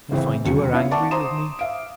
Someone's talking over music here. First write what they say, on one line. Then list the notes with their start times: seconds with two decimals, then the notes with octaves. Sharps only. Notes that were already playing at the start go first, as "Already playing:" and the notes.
I find you are angry with me.
0.11 G1 C#3 E3 C4 E5
0.44 E1 D#2 D3 F#3 F#4 C#7
0.72 B3 C#4 E4 F4 E5 F5
0.91 D5 F#5 A5 C#6 D6
1.11 C5 A#5 C6 D#6 E7
1.59 E5 F5 D7